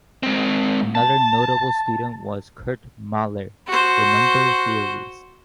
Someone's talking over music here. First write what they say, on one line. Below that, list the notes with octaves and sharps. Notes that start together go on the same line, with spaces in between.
Another notable student was Kurt Mahler, the number theorist.
G#3 C4
A5
F#4 C5